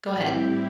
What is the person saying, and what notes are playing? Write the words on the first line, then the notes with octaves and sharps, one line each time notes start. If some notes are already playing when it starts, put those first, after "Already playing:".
Go ahead.
A2 G3 C4 E4 G4